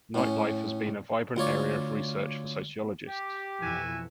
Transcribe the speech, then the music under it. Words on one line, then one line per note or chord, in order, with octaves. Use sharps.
Nightlife has been a vibrant area of research for sociologists.
A2 C#4
D2 F4 C#5 D5
G4
F2 B2 E3 F#4 E5 G#5